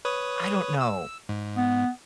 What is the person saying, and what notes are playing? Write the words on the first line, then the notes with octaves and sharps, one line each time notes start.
I don't know.
B4 C#5 D#6
E6
G#2
B3